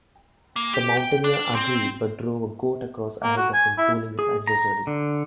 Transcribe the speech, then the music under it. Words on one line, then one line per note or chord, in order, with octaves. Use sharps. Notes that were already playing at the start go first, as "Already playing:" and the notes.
The mountaineer agreed, but drove a goat across ahead of him, fooling his adversary.
A#3
G4
G5
D4
C4
A#3
F#4
G#5
E4
G#4
A#5
D3